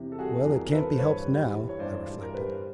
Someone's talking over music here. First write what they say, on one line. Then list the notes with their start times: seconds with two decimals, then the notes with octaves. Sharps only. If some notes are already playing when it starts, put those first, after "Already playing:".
"Well, it can't be helped now," I reflected.
Already playing: E2 C3 E3
0.12 A4
0.18 G3 F#4 G#4
0.46 E2 G#4 A#4
0.67 A#4
0.72 E3 A4 B4
0.92 C5
0.99 G2 B4 C#5
1.26 G3
1.53 E3
1.69 C#5
1.79 G2 C5 D5
2.07 G2
2.21 A#4
2.33 G3 B4
2.47 C5